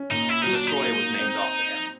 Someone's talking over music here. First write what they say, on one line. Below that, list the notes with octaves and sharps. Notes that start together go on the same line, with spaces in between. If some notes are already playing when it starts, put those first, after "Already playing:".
The destroyer was named after him.
Already playing: C#4
A#2 D#4
E4
F#3 D#4
D4
D#4
A#3
C4